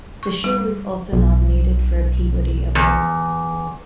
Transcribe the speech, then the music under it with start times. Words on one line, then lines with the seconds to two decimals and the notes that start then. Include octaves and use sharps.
The show was also nominated for a Peabody Award.
0.23 C#6
0.44 G3
1.13 B1
2.75 E2